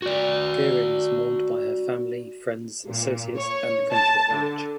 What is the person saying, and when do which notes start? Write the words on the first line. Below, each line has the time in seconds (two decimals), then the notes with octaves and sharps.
Guerin is mourned by her family, friends, associates and the country at large.
0.02 F#4 D5
2.87 A#2
3.36 C#5
3.93 A5
4.33 D3